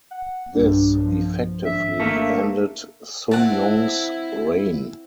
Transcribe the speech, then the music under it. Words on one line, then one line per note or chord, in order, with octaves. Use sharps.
This effectively ended Sunjong's reign.
F#5
B1 G2 G3 D4
F3
G#1 D4 E5
A3 A#3
C4 E4 F#5 A5